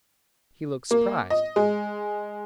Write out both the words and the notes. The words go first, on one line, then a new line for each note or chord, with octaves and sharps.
He looked surprised.
A#3
D#5
G#3